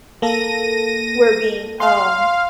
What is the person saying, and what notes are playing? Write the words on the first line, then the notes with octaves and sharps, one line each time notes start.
we're being, um,
A#3 A4 A#6 D#7
F5 C6